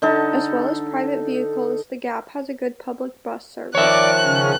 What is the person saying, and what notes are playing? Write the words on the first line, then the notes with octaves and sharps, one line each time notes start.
As well as private vehicles, The Gap has a good public bus service.
D3 D#4 A4
D#3 F3 C#5 D5 E5 F#6
C#3 C#4